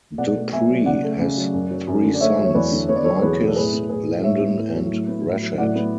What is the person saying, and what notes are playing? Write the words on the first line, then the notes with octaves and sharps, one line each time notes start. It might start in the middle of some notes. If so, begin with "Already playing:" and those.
Dupree has three sons, Marquez, Landon and Rashad.
B2 D5 F#5
A3
B2 E5 G#5
F#3
C#3 D5 F#5
A3
C#3
F#3
F#2
F#3
F#2
D3
D5
A3 C#5 E5
F#3
C#5
E2 B4 D5
D3
B3 C#5
D5
F#3 A4 C#5
E2 G#4 B4
B2
A4
A2 G#4 B4
B3
A2 G#4 B4
E3
A2 C#5 E5
B3
A2
F#3
A2
B3
A2
F#3
A2 D5 F#5
B3